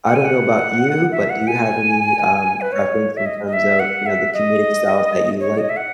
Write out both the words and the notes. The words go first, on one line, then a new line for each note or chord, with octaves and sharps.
I don't know about you, but do you have any, um, preference in terms of, you know, the comedic styles that you like?
F#5
G#5
F#5
E5
F#5
G#5
B4
C#5
E5
D#5
D#5
E5
F#5
E5
D#5
C#5
D#5
E5
F#5